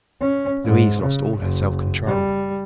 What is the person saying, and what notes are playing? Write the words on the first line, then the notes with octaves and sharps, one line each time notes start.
Louise lost all her self-control.
C#4
G#2
C#3
F#1
G3